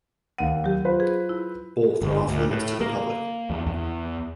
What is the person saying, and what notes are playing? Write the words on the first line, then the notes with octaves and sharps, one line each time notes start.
Both are off limits to the public.
D#2 F#5 D#7
F#3 G4
F4 B4 C5
G#4
E4
G1
D2
A2
A#3
E2
E2